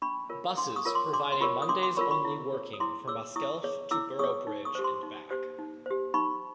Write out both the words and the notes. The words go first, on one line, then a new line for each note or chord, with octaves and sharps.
Buses provide a Mondays only working from Raskelf to Boroughbridge and back.
D4 B5 C#6
F4 A#4 C#5
D4 C6 D6
C#6 D#6
F4 A#4 C#5
C6 D6
D4 C6 D6
C6
F4 A#4 C#5 B5 C#6
D#6
D4 C6 D6
C6 D6
F4 A#4 C#5 B5 C#6
B5 C#6
E4
G#4 C#5
D#6
E4 C6 D6
G#4 C#5 D6 E6
E4 C#6 D#6
G#4 C#5
E4 D6 E6
G#4 C#5 C#6 D#6
D#4
C#6 D#6
G4 C5
C6 D6
D#4
G4 C5
D#4
G4 C5
D#4 B5 C#6